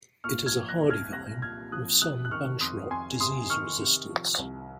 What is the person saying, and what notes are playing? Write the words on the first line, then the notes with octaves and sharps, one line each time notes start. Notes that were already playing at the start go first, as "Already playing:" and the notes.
It is a hardy vine with some bunch-rot disease resistance.
A#2 C#6 F6
F6 G#6
F3
F#6 A#6
C2
F6 G#6
C2 F#6 A#6
A#2 F6 G#6
F3 D#6 F#6
C3 D#6 F#6
F#6
D#3 C#6 F6
F2 C6 D#6
F2 G#5 C6
C3 C6 D#6
D#3 C#6 F6
C3
F3
C2